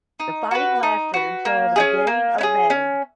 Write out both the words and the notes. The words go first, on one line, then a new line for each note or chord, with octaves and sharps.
The fighting lasted until the beginning of May.
D#4
F#4 B4
D#4
F#4 B4
A#3
C#4 E4 G#4
A#3
C#4 E4 G#4
C#4